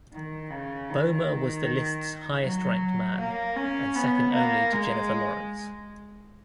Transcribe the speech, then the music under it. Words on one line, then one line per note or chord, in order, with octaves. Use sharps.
Bomer was the list's highest ranked man and second only to Jennifer Lawrence.
D#3
C#3
D#3
F#3
A#3
C#4
B3
A#3
G#3